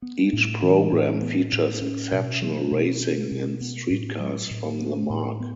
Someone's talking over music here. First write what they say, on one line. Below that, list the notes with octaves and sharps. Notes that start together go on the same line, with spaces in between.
Each program features exceptional racing and street cars from the marque.
B3
A2
E3
A2
B3
A2
C#4
B2
F#3
B2
C#4
B2
B3
A2
F#3
A2
B3
A2
B3